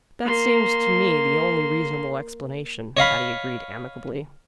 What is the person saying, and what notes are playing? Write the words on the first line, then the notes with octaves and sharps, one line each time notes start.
"That seems to me the only reasonable explanation," Patty agreed amicably.
A#3 C6
C#5 D#5 F5 B5